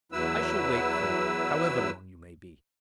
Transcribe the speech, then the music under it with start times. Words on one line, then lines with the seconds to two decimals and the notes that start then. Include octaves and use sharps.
I shall wait for you, however long you may be.
0.12 E2 F#3 E4 B4 E6